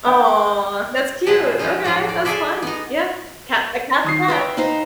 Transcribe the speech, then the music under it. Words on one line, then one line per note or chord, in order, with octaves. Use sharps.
Aw, that's cute. Ok, that's fun. Yeah, cat a cat's a cat.
G5
B2 F#3 G#3 C4 B4 A5
F3 C#4 D#4 F4
A2 F3 F#3 A#3 F#4
D5
F4 G#4 A4 D5 E5
B3 D#4
D#3 D#6 C7
B4 E5 F5 G5
D#4 C5 F5